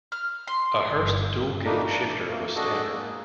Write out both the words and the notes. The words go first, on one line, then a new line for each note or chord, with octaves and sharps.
A Hurst Dual Gate shifter was standard.
F6
C6
G1
G3 A3 A#3 D4 D#4
E3 D4
E3 A3 A#3
D4 F#4 G#4 A4 D#5
G#3 A#3